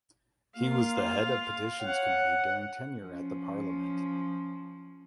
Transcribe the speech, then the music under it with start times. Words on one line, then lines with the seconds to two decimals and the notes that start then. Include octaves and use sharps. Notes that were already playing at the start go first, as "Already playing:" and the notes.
He was the head of the petitions committee during tenure at the Parliament.
0.57 A#3 F4 F5
1.80 C#5 F#5
2.99 F3 C#4